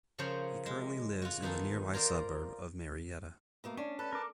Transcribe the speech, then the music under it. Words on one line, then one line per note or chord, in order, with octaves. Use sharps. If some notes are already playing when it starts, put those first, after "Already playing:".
He currently lives in the nearby suburb of Marietta.
C#3 F3 C#4 A#4 C5 C#5
G#3
F4 F#4
D#3 B3 D#4 G#4 A4
F4 A#4 C5 D5
B2 A3 A#3
C#4 D4
A4 B4 A5
A#4 D6